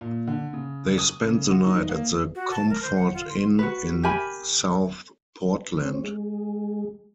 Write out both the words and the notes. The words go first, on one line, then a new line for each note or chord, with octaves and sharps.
They spent the night at the Comfort Inn in South Portland.
A#2
D3
C#3
D#6
C#3
F#4
D#4
A#3
F#4
A5
A#4
C5
F#5
F4
C6
F#4 B4
G4 A#4 G#5 B5
C4 C#4
G#3